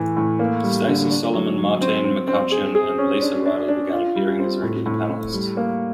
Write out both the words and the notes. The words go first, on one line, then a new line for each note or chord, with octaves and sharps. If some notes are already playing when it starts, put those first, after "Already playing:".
Stacey Solomon, Martine McCutcheon and Lisa Riley began appearing as regular panellists.
Already playing: A2 E3
A2
A#3
G3
D3
D4
F#3
F#3
C4
C4
C4
G#4
G#4
C#4
D4
D4
D4
F4
G3
C4
A2
A2
A2
G3
A#3